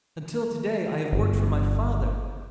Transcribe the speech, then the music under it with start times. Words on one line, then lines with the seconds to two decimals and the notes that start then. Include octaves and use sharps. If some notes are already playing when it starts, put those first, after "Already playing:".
Until today I have worked for my father.
1.13 G1